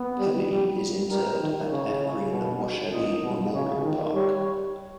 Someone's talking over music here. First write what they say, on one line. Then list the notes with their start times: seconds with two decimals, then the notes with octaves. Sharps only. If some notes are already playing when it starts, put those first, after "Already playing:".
Pelly is interred at Evergreen Washelli Memorial Park.
Already playing: B3
0.19 G3
0.49 G3
1.10 G3 A#4
1.41 D#3
1.71 C#3 C#5
2.02 C#3
2.32 B2
2.93 A#2 D#5
3.24 B2
3.54 C#3 C#5
3.84 D#3
4.14 G3 C#5